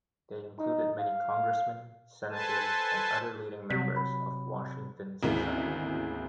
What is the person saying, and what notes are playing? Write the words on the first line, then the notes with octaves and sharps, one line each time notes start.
They included many congressmen, senators, and other leading members of Washington society.
D#4
F5
A4 B4 C5 G#5 A5
C3 F#3 B6
B5
G#1 D2 C#3 G#3 A#3 E4